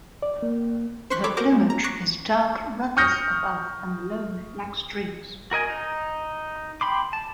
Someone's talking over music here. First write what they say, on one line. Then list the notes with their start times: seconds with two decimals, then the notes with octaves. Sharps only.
The plumage is dark rufous above and below with black streaks.
0.23 D5
0.42 A#3
1.10 C5 C6 C#6 F#6 B6
1.24 A4 C#5 B5 C#6 D6
1.37 F#4 A#4 C5 A#5 D6
1.52 G#3
1.70 A#5
1.84 C#6 D6 F#6 A#6 D7
2.97 C#6 D#6 F6 G6 A#6 C#7
5.51 F#4 A#4 D#5 G#5
5.70 D#4
6.81 G5 B5 C6 D6
7.13 A5